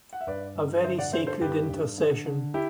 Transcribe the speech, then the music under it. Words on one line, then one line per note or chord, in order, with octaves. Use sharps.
A very sacred intercession.
F#5
E5
G2 B4 D5
G2
D3 C5 E5
D5 F#5
D3 C5 E5
A4 C5
G2 G4 B4
G2
D3
D3
E4 G4